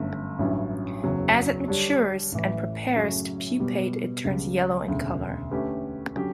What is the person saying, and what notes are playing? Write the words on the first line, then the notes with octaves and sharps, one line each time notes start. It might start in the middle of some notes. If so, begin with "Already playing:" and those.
As it matures and prepares to pupate it turns yellow in color.
Already playing: G1 F#2 D3 A3
A1 G2 F#3 C#4 E4
F#1 E2 C#3 F#3 C#4
D3 G3 D4 G4 C#5
A1 A2 E3
F#2 C#3 F#3 A3 C#4
B2 G3 B3
C#2 C#3 G3
E1 D2 C#3
D3 A3 C#4 G4 B4
D3 F#3 C#4 G4